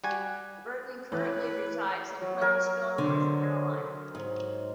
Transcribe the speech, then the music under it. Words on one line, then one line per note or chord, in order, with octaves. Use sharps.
Burton currently resides in Huntersville, North Carolina.
G3 F#4 G#5
E3 A3 B4 C#5
F#3
F#3 A#4 G#5
D3 C5
G#2